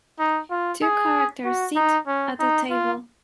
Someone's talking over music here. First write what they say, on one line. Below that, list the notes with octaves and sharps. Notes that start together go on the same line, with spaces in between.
Two characters sit at a table.
D#4
F4
G#4
F#4
D#4
C#4
D#4
F4